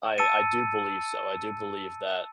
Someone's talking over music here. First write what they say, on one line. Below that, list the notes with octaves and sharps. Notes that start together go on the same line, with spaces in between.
I I do believe so. I do believe that,
A5 E6 A6 C#7 D#7